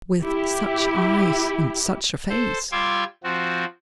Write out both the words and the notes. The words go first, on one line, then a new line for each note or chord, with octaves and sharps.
With such eyes in such a face!
E4 G4
A4 C5
G3 F4 C6 D6 E6 G#6
F3 C4 F#4